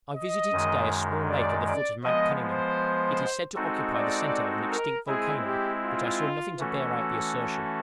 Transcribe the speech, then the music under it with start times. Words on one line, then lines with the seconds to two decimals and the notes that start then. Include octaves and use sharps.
I visited to-day a small lake at the foot of Mount Cunningham; it is said to occupy the centre of an extinct volcano: but I saw nothing to bear out the assertion.
0.14 D#5
0.52 F#2 D#3 G#3
1.29 D5
1.66 D5
2.04 F3 G#3 B3 D#5
2.42 C5
3.56 G#3 C4 D#4 F#4 A4
3.94 D5
4.69 A#4
5.07 G#3 C4 E4 G#4
5.45 G4
5.83 F4
6.58 E3 A3 C#4 F#4 A4